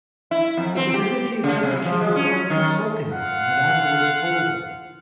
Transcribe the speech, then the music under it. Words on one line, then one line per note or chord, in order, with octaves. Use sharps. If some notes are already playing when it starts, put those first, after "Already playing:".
It was as if he had sent the cable without consulting her and had afterwards told her.
E4
F2
C4
G4
C#3
C3
F3
G#3
C#4
D#3
F4 F5 F#5